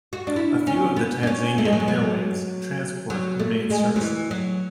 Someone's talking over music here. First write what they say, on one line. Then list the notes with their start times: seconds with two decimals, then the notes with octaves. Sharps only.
A few of the Tanzanian air wing's transport remain serviceable.
0.13 F#4
0.27 D4
0.36 E4
0.67 C#4
0.96 B3
1.23 D4
1.27 C#4
1.58 A3
1.65 G#3
1.73 F#3
1.80 G#3
1.88 F#3
3.10 F#3
3.39 A3
3.70 G#3
3.96 F#3
4.01 E3
4.31 F#3